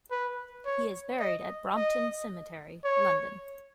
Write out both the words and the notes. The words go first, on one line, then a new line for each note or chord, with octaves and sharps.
He is buried at Brompton Cemetery, London.
B4
C#5
D#5
D#5
C#5